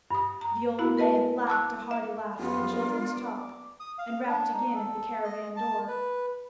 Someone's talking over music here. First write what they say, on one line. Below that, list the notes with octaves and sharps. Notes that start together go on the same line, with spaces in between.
The old man laughed a hearty laugh at the children's talk, and rapped again at the caravan door.
G2 D#6
A#5
B3 E4 F#4
A#4 B4 D#5 A5
A5 D6 E6 F#6
E5
F#2 F3 B3 F4 G4
B3 D4 A#4 D5 A#5
D6
D#6
F5
D4
D#4
A4
D#5
A5
B4